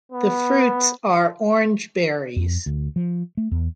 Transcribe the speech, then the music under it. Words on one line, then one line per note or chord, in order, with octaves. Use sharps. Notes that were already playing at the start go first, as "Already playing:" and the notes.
The fruits are orange berries.
B3
F2
D2
F3
A3
E2